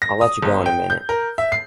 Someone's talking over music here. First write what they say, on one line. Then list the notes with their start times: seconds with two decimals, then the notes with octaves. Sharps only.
I'll let you go in a minute.
0.02 A#6
0.21 D#6
0.43 G1
0.66 G5
0.90 G6
1.09 A#4
1.38 E5
1.52 C7